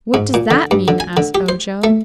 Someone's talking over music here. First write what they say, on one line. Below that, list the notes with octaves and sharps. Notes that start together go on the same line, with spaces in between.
"What does that mean?" asked Ojo.
G#2
A#2
D3
G2
D3
G#5
D3
G4
C5
A3